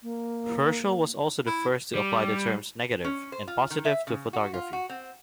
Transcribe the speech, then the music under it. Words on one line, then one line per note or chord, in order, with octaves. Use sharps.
Herschel was also the first to apply the terms "negative" and "positive" to photography.
A#3
E4
G3
C#4
C5
F4
D#3
E5
C#3
F#4
F4
F#4
C4